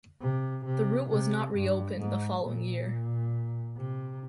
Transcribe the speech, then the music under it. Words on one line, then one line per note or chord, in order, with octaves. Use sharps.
The route was not reopened the following year.
C3
C3
C3
G2
G#2
A#2
C3